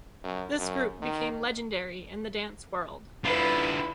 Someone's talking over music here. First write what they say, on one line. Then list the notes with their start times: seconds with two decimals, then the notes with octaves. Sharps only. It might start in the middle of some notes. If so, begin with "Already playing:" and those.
This group became legendary in the dance world.
0.24 F#2
0.59 F#2
1.02 D#3
3.24 D3 E4 F4 B4